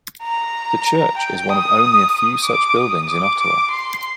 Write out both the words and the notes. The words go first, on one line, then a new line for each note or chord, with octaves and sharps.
The church is one of only a few such buildings in Ottawa.
A#5
G5
D#6
D#6
D6
D#6
D6
D6
C6